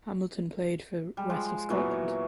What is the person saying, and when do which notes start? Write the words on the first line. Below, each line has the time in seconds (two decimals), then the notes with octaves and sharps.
Hamilton played for West of Scotland.
1.17 G3 G#3
1.30 F3 G#3
1.70 A#2 E3 F#3 B3
1.91 C#5